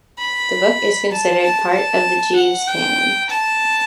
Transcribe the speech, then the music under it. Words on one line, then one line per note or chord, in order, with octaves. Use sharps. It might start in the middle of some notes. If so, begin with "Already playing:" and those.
The book is considered part of the Jeeves canon.
B5
A5
A5
A5
F#5
G5
A5